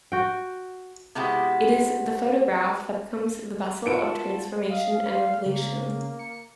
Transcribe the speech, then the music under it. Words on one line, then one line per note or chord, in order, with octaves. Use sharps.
It is the photograph that becomes the vessel of transformation and revelation.
F#4 G5
C3 G#3 B3 E4 F#4 G4
D#4 F4 F#4 A#4 E5 A5 C#7 D7
D#5 F5
F5 C6
C#3 A#3
C#7